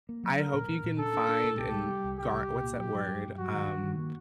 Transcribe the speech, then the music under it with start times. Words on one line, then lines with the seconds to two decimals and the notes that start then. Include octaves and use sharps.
I hope you can find and gar what's that word? Um,
0.09 A#3
0.23 F#3
0.38 D4 A#4
0.54 A#2
0.69 A#2
0.84 A#2
0.98 D4 A4
1.13 D4
1.29 D4
1.44 A#2
1.58 C2 G4
1.74 G3
1.89 G3
2.04 C2
2.18 G3 G4
2.33 C2
2.48 C2
2.63 A#2
2.79 F#3 G4
2.94 F#3
3.08 G2
3.23 G2
3.38 F#3 F#4
3.53 D#3
3.68 G2
3.83 D#3
3.99 A#3